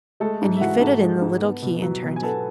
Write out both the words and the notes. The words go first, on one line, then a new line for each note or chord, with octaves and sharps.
And he fitted in the little key and turned it.
G#3 A3 A4
G#2
E5
E3 F#4 F#5
G#2 A4 A5
G#3
G#2
B3
B2
F#3
B2
G#5
B3 A4 A5